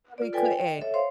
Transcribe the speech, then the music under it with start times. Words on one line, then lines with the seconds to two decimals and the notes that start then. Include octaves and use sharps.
probably couldn't.
0.18 F4 D5
0.33 F4 A4 B4 D5 G5 G#5
0.53 G5
0.68 D#5
0.81 A4 C#5 E5
0.94 C5 C#5 F5 C6